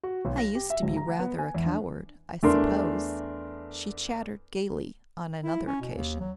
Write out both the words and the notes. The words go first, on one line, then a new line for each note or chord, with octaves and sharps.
"I used to be rather a coward, I suppose," she chattered gaily on another occasion.
F#4
B1
A#6
G4
E5
D1
A#5
F#5
B3
G#5
E2
D4
E2 A3 D4 A#4 C6
E4
C#4
B2
D#2
F#3